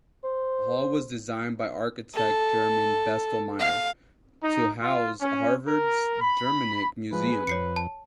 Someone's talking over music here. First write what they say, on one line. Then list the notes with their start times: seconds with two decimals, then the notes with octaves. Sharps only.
The hall was designed by architect German Bestelmeyer to house Harvard's Germanic Museum.
0.24 C5
2.15 A4
3.59 F5
4.42 D#4
4.82 F4
5.21 C#4
5.68 A#4
6.20 B5
7.13 F3 G#3 B4
7.32 G#4
7.47 F2 C#5 C7 C#7
7.76 A5